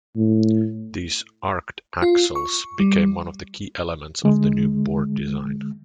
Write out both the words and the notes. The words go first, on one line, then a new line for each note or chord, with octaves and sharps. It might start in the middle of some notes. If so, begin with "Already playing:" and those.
These "arced axles" became one of the key elements of the new board design.
A2
F4
C#6
G3
D3 G#3